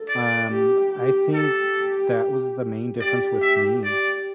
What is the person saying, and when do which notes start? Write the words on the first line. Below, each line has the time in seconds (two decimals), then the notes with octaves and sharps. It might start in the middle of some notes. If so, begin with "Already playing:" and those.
Um, I think that was the main difference with me.
Already playing: A4
0.08 D5
0.51 G4
0.93 G4
1.34 G4 A4
3.00 G4 D5
3.42 E5
3.83 G4 D5